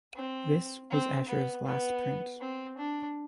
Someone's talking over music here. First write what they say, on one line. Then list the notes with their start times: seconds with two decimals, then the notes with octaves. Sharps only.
This was Escher's last print.
0.16 C4
0.91 C4
1.28 B3
1.66 B3
2.40 C4
2.78 D4